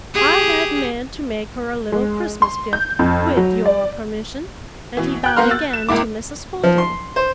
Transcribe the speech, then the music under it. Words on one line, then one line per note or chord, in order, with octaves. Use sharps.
"I had meant to make her a little Christmas gift, with your permission," and he bowed again to Mrs. Fulton.
G4 G#4
G#3
C6
G6
F2
F#3
D5
B2 E3
G5 F#6 G6
A#3 B3 F5 A#5 C6 F6
E6 F#6 A6
E7
C#2 A#3 E4 D6
F3
C6
C5